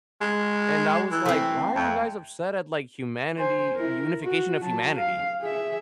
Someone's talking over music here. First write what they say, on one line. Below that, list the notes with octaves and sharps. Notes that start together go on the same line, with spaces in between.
and I was, like, "Why are you guys upset at like humanity, unification of humanity?"
G#3
E3
A3 C4
F2
C5 G#5
E4 A#4
F#4
F#3 A5
F5
G#4 E5